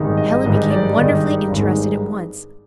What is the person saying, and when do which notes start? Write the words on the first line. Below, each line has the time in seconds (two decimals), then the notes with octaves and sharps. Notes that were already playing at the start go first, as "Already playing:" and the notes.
Helen became wonderfully interested at once.
Already playing: G#1 G2 D#3 G#3 D#4
0.17 D#5
0.44 G#1 G2 D#3 G#3 D#4 D#5
0.71 D5
0.97 G#1 G2 D#3 G#3 D#4 D#5
1.07 D5
1.27 D5
1.50 G#1 G2 D#3 G#3 D#4